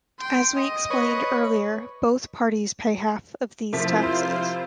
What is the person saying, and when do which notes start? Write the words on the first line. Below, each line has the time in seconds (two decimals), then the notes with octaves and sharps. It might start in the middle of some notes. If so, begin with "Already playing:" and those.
As we explained earlier both parties pay half of these taxes.
0.19 G5 C6
0.55 D#5
0.90 B4 C#5
3.73 C3 F3 E4 F4 A#4 C5 E5 B6